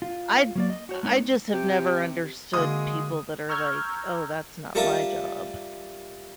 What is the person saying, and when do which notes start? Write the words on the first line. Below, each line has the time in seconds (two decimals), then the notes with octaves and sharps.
I I just have never understood people that are like, "Oh, that's not my job."
0.02 F4
0.55 F#3 A#3 D5
0.70 D#5
0.89 F#4 C#5
1.03 G#3 B3 D#4 C#5
1.53 C3 G4
2.53 D3 G#3 A#3 F#4 D#6
3.49 A#5 C#6 E6 F6 G6 G#6
4.75 G3 F4 A4 A#4 E5